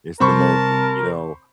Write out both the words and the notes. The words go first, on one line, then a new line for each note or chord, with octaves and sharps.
It's the most, you know,
C3 G3 C4 A#4 C5 A5 B5 C#6